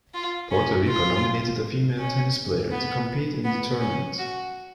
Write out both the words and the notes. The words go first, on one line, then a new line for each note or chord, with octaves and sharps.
Puerto Rico nominated a female tennis player to compete in the tournament.
F4
C#4
F4
C#4
B3
B3
C#4
F#4